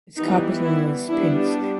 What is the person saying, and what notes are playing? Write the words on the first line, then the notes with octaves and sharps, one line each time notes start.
Its capital was Pinsk.
E3 G3 B3 D#4
E4
G3 B3 D4 E4